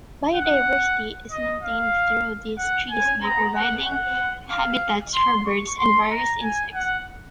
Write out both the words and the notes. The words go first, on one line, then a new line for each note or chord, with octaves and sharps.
Biodiversity is maintained through these trees by providing habitats for birds and various insects.
F#5
D#5
F5
F#5
G#5
A#5
F#5
F#5
F5
C6
C#6
C6
A#5
G#5
F#5